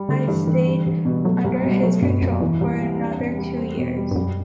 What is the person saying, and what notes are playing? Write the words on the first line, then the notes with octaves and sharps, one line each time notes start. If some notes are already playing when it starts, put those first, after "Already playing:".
I stayed under his control for another two years.
Already playing: G3
D3 A3
G2 E3
D3 E3
G3
C2
B2
F#3 A3
C2
B2
G3
F#3 A3
G2 B2
F#2 F#3
E2 E3
C2
C3
D4
C3
G3
C4
B2
G3
G2
F#2 G3